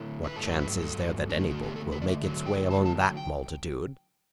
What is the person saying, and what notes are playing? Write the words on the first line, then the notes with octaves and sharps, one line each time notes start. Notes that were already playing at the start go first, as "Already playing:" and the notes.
What chance is there that any book will make its way among that multitude?
Already playing: D3 A3 E4
B4
G2 F#3 A3 A4
B4
A4
D3 A3 D4
F#4
G4
A4
B4
D5
E5
D3 F#3 A3
G5
A5
A5
G5
G5